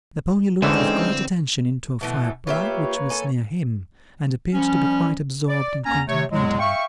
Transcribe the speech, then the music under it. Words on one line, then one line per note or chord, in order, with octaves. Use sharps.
The pony looked with great attention into a fire-plug which was near him, and appeared to be quite absorbed in contemplating it.
D2 D3 E3 G#3 C4 C#4 D#4
B2 E3 A3
A#3 F4 G4 B4 C#5 E5
A4 G#5
F3 G3 C#4
D5
E2 A#3 C#4 G#5 A#5
C3 A3 C#5
E2 A2 F#3 G#3
E5 F5 G5 C#6